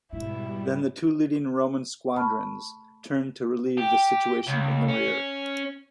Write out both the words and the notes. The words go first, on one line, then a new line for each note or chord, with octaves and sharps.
Then the two leading Roman squadrons turned to relieve the situation in the rear.
G#2 B2 G3 E4
A3 A5 B5 C#6 F6
G4
C#2
C#4